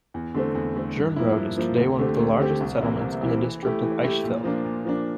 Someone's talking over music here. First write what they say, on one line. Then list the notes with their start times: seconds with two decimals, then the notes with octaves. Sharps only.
Gernrode is today one of the largest settlements in the District of Eichsfeld.
0.14 E2
0.34 D3 A3 C4
0.55 E2
0.76 D3 A3 C4
0.96 G2
1.16 F3 A#3 E4
1.37 G2
1.58 F3 A#3 E4
1.77 D2
1.98 D3 A3 C4 G4
2.19 D2
2.40 D3 A3 C4 G4
2.60 C2
2.80 C3 E3 A#3 E4
3.01 C2
3.21 C3 E3 A#3 E4
3.42 E3
3.62 A3 E4 G4
3.83 E3
4.03 A3 E4 G4
4.24 A#2
4.44 F3 A#3 D4
4.64 A#2
4.85 F3 A#3 D4